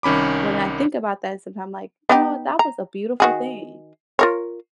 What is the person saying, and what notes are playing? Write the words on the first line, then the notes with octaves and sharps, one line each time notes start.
when I think about that, sometimes I'm like, "You know what, that was a beautiful thing."
C2 D#3 C#4 B5 D6
B3 D#4 G4
A#5
D#3 F#4 G#4
F4 A#4 C#5